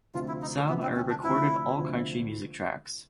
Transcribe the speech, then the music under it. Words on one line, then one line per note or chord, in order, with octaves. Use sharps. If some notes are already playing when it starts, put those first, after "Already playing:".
Sahm recorded all country music tracks.
D2 C3 F3 F4
E4
D#4
A3
D2 C3 F3 B3
C4
C#4
D4
D2 C3 F3 E4
D2 C3 F3